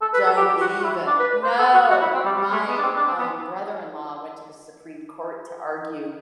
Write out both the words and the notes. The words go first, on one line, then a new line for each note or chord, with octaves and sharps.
don't even. No! My um, brother-in-law went to the Supreme Court to argue
A4
B4
A4
G4
G4
F#4
F#4
E4
D4
B4
B4
C5
A4
F#4
F#4
E4
C4
G3
G3
A3
B3
D4
C4
D4
C4
B3